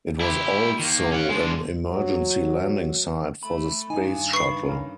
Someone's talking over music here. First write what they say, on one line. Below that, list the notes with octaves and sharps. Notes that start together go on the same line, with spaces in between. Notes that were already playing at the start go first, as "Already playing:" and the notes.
It was also an emergency landing site for the Space Shuttle.
E4 G4
D#3 A#3
C#4 F#5
G#3 D4
F#3
A3 B5
G2 D#3 D#4 E4 G#5
B4 B5 C#6 C7
C#4 A#4 F5